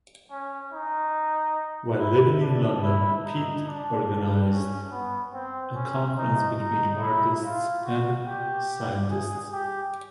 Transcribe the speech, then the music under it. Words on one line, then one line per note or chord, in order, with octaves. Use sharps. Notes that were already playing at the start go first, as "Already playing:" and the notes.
While living in London, Peat organized a conference between artists and scientists.
C#4
D#4
E4
D4
E4
D#4
D4
C#4
B3
C4
C#4
D#4
D#4
E4
F4
F#4
G4
G#4
G4